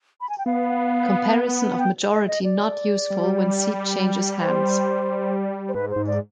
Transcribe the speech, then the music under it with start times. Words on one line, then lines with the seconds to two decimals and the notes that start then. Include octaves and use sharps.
Comparison of majority not useful when seat changes hands.
0.21 B5
0.29 G#5
0.38 G5
0.46 B3 F5
1.78 G5
2.11 D#5
2.27 D#5
2.44 D5
3.10 G3
4.42 C5
5.68 C5
5.74 G#2 B4
5.90 C5
5.96 G#2
6.07 D5